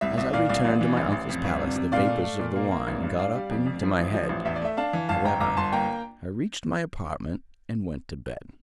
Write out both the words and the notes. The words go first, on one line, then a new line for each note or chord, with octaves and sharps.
As I returned to my uncle's palace, the vapours of the wine got up into my head; however, I reached my apartment, and went to bed.
C2 E5
C2 E5
A#2 D5 F5
C2 D5 F5
A1
E3
A1
A1
F2
G1
C3
C3
A#2 D5 F5
A3
A3
A#2
A#3
A#3
A1
G2
D4 D5 F5
G3
F2
F2
F3
A1
F3
A1
E2 E5
D5
A3 E5
D4 F5 A5
E3
G1 F5 A5
G1 G5 A#5
G1 A#5 D6
G1 A5 C6
A#3 G5 A#5